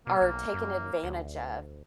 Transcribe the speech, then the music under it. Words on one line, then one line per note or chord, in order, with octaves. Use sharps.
are taken advantage of.
B2 A#3
B1
F#2
D2